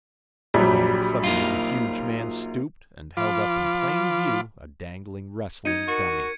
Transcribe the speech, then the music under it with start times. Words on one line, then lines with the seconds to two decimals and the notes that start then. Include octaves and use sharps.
Then suddenly the huge man stooped and held up in plain view a dangling wrestling dummy.
0.54 A#1 F#3 G3
1.24 A#3 D#4 F4
3.17 F3 F4 B5 D6
5.65 D#4 G#6 C#7 D#7
5.88 F#4 A#4